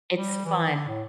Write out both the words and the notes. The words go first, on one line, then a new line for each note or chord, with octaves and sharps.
it's fun.
G3
E3
D3
A2